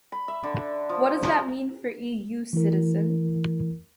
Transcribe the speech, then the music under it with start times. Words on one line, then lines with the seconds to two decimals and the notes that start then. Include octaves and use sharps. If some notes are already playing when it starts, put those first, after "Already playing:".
What does that mean for EU-citizen?
0.12 B5
0.28 E5
0.43 D3
0.89 F3
1.24 F3
2.53 E3 A3 E4 A#4